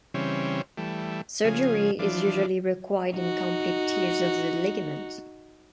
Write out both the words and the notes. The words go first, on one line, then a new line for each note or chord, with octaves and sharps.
Surgery is usually required in complete tears of the ligament.
C#3 E3 G3 C4 C#4
E3 G3 A3
C#3 F3 G#4
E3 F3 D4
D#4 F#4